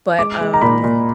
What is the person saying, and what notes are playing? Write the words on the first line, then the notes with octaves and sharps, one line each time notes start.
But, um
G#3 D6
G#3
A#5
A#2 B5
A#2